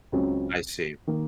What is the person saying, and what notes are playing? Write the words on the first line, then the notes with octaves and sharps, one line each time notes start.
I see.
C#2 C#3 F#3 C4
D#3 A#3